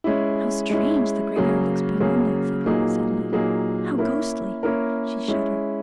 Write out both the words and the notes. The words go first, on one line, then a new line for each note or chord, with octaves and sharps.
"How strange the graveyard looks by moonlight!" said Ruby suddenly. "How ghostly!" she shuddered.
G#3 C#4 E4
G#3 C#4 E4
C#3 F#3 A#3 C#4 G#4
C#3 F#3 A#3 C#4 G#4
A#2 F#3 A#3 D#4 G#4
A#2 F#3 A#3 D#4 G#4
A#3 C#4 E4 A#4
A#3 C#4 E4 A#4
G#3 C#4 E4